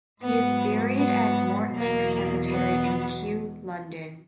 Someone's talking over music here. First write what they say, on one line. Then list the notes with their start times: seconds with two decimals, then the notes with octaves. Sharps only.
He is buried at Mortlake Cemetery in Kew, London.
0.21 G#2 F#3 B3
0.97 B3
1.74 E2 B2 F#3 A#3
2.50 B3